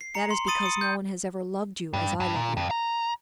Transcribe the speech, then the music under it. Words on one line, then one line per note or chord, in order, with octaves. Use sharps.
"That is because no one has ever loved you as I love you."
C7
A#5 C#7
C6
B5 C6 D#6 A6 D#7
D#6 C#7
G6
G2
G2
A#2
F2
A#5